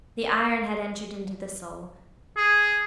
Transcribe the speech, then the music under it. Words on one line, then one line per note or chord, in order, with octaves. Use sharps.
The iron had entered into the soul.
G#4